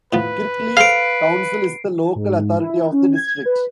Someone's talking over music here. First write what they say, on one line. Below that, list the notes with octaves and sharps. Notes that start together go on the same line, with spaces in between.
Kirklees Council is the local authority of the district.
A2 F3 B3 B4
G#4 A4 C5 F5 C7 D7
G#2
E4
C#4
G#6
B4